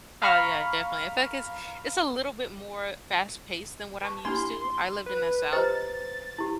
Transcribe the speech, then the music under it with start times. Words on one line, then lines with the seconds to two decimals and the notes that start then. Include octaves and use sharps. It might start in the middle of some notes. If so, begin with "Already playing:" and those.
Oh, yeah, definitely. In fact, it's it's a little bit more fast paced than what I'm used to. I lived in the South.
0.22 F5 A#5 B5 C#6 F6
4.02 B4 A5 C#6
4.25 A#3 D4 E4 G4 B5 C6
5.06 B4
5.53 F4 G4 B4 C5 D#5 A#5 A6
6.39 E4 G4